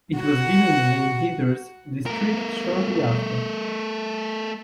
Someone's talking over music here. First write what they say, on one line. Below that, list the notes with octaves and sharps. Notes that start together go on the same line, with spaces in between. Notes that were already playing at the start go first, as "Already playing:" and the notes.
It was given the name Hathras District shortly after.
F#4 F#5
A3 A#4